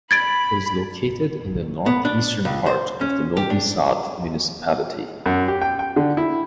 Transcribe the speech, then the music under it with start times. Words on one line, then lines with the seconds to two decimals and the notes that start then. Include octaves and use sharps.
It is located in the north-eastern part of the Novi Sad municipality.
0.11 B5 G#6 A6 D7
1.86 B3
2.05 D4
2.45 C#2
2.66 C5
3.01 C#4
3.37 G4
3.50 D4
5.26 F#2
5.48 G4
5.61 G5
5.79 G5
5.96 D3
6.17 E4